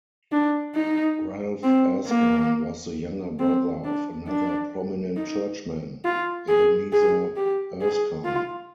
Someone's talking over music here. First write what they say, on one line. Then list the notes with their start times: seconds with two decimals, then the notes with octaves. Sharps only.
Ralph Erskine was the younger brother of another prominent churchman, Ebenezer Erskine.
0.32 D4
0.75 D#4
1.63 C4
2.07 A#3
3.39 C4
3.84 D4
4.28 D4
5.16 D#4
6.05 F4
6.48 G#4
6.93 G#4
7.36 G4
7.81 G#4
8.25 F4